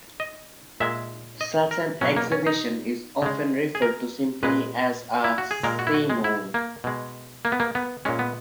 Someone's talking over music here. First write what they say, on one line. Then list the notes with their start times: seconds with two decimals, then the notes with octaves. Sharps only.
Such an exhibition is often referred to simply as a "simul".
0.20 D#5
0.80 A#2 G#3 E5
1.41 D#5
1.71 A#4
2.01 B2 F#3 C#4
2.17 A#3
2.32 C#4
2.46 D#4
3.22 C#3 G#3
3.75 G#4
3.82 A#4
4.43 A#2 G#3 B4
5.24 E4
5.38 F#4
5.51 G#4
5.63 A#2 G#3 A#4
5.79 F#4
5.87 E4
5.94 F#4
6.10 G#3
6.24 E4
6.54 A#3
6.84 B2 G#3
7.45 A#3
7.52 B3
7.60 A#3
7.75 B3
8.05 A#2 G#3 C#4
8.19 B3